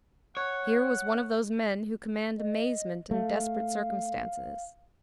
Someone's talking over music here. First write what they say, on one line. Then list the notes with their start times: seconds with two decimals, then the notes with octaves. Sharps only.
Here was one of those men who command amazement in desperate circumstances.
0.37 C#5 F#5
2.38 D#5
3.11 A3 F5